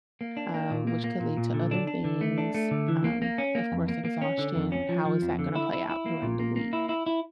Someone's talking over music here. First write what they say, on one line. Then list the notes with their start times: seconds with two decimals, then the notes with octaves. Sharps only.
uh, which could lead to other things? Um, of course, exhaustion. How is that gonna play out during the week?
0.21 A#3
0.37 D4
0.54 A#3
0.70 A#2
0.87 A#3
1.04 A#3
1.20 A#2
1.37 A#2
1.54 D3
1.71 D4
1.87 D4
2.04 D3
2.21 A3
2.38 D4
2.54 A3
2.71 D3
2.88 E3
3.04 A#3
3.22 A#3
3.38 C#4
3.55 A#3
3.72 F2
3.88 A#3
4.05 A#3
4.22 C#4
4.39 D3
4.55 F2
4.72 C#4
4.89 F3
5.05 F3
5.22 F2
5.39 D3
5.55 E4
5.72 E4
5.89 E4
6.06 A#3
6.22 A#2
6.39 A#3
6.56 A#3
6.73 E4
6.89 E4
7.06 E4